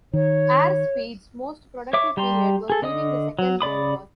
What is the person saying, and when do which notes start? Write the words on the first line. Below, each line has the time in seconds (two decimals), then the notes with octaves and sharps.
Airspeed's most productive period was during the Second World War.
0.13 D#3 C#5
1.93 C#5 E5 D6
2.17 G3 G4 A#5 C6
2.70 G#4 A4
2.82 D3 D#5 D#6
3.39 F#3
3.61 C#3 D5 B5 D#6